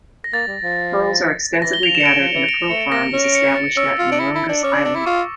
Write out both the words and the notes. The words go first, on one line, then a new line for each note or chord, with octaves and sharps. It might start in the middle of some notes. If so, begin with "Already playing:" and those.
Pearls are extensively gathered and a pearl farm is established at Marungas Island.
A#6
A#3 A6
G3
F3
E3 A#6
G7
F3 F7
E7
C#7
D3 D7
F3
E3
D7
A3 C#7
C#7
A#3 A#6
C#4
D7
C#7
A6
C#4 E6
F4
D4
E4
E4
D4
C#4 D6
D4
D4
E4
F4 C#6